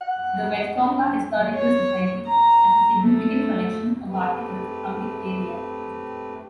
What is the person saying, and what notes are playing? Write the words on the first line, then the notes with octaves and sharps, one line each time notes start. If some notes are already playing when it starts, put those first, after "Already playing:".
The Westonka Historical Society has a significant collection of articles from the area.
F#5
C#5
A#5
A3
A3 C4 G4 B4